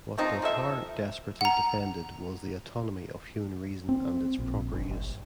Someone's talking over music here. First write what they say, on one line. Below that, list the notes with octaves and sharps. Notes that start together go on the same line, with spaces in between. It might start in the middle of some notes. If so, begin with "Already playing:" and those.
What Descartes desperately defended was the autonomy of human reason and its proper use.
C3 F3 C4 D#4
F3 A4 E5
F#5 A#5
C4
A#1
G1
G1